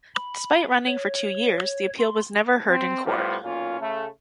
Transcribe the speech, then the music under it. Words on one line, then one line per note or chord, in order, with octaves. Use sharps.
Despite running for two years, the appeal was never heard in court.
B5
C#5
C6
C4
A2 G3 B3 F4 C5
B1 A#2 C#4 F4
C#3 A3